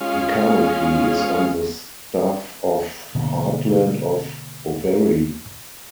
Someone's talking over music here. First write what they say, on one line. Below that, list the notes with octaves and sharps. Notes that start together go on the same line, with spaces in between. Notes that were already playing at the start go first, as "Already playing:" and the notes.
He currently is on the staff of Heartland of Owerri.
G#3 C#4 F4
B2 D3 A#3